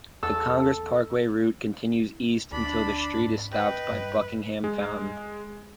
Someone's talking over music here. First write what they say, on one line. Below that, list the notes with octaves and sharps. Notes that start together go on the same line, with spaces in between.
The Congress Parkway route continues east until the street is stopped by Buckingham Fountain.
E2 A4 E6
D2 D4 B5
G#2
B4 D#5 G5
G2
G#3